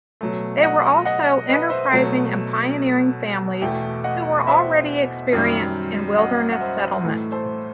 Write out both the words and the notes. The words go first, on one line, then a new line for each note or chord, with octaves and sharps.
They were also enterprising and pioneering families who were already experienced in wilderness settlement.
B2 F#3 A3
D#5 F#5
D#5 F#5
B4 D#5
C5 E5
B2 F#3 A3
E2 B2 A3 E5 G5
D#5 F#5
C5 E5
F#2 D#3 G3
D#5 F#5
F#5
C5 E5
A2 E3 A3
A4 C5